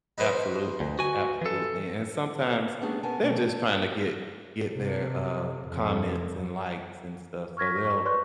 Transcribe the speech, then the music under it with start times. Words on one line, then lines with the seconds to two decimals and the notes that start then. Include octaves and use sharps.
Absolutely. Absolutely, and sometimes they're just trying to get get their, uh, comments and likes and stuff, so they'll
0.18 D#4 B4 C5
0.80 D2
0.99 F#4 G#5
1.41 E3 A4
2.52 A#3
2.81 G3 A3 B3 C#4 D4 G#4
3.03 B3 C#4 A#4 G#5 A5
3.23 B2 A3 A#3 C4 G#4 B4
3.42 A3
4.75 C3
5.68 F2
7.57 C#6 F6 G#6 A#6 B6
7.85 C#6
8.05 B4 C#5 D5 C6 C#6 F#6